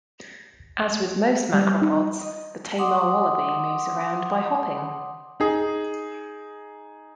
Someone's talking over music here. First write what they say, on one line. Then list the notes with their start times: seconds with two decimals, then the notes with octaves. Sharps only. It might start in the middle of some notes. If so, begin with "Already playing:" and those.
As with most macropods, the tammar wallaby moves around by hopping.
1.54 G3
1.82 D#4
2.21 D#5
2.78 F#5 C6 D6 D#6
5.40 D#4 G#4